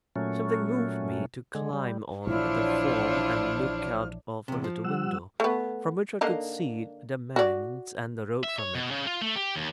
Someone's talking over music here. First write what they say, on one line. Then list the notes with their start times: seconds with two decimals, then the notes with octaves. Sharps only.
Something moved me to climb on the form and look out of a little window, from which I could see the manse and the road from it.
0.16 A#2 F#3 A3 C#4
1.55 D3 G#3
1.73 G3
2.27 A#1 E3 D4 E4 F4 C5 C#5 F6
4.48 E2 C3
4.64 F3
4.84 G3 F#5 E6
5.40 A3 B3
6.21 D3 A#3 D#4
7.36 F#4 D5
8.43 E5
8.59 C#5
8.75 B2
8.91 C#3
9.06 F4
9.21 A3
9.36 G4
9.56 D#2